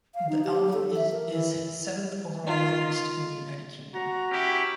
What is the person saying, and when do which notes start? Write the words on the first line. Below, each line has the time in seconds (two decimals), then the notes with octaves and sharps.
The album is his seventh overall released in the United Kingdom.
0.15 F5
0.29 D#4
0.44 G4
0.73 A4
0.96 E5
1.12 A#4
1.29 E3
2.44 D#3 F4
3.94 F#4 A#5
4.31 C#4 E4 G4